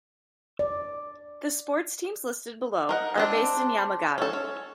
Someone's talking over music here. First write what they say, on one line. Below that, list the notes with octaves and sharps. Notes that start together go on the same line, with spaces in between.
The sports teams listed below are based in Yamagata.
D5
D#4 A#4 F#5
G#3 C4 D4
C#4 A4
C#4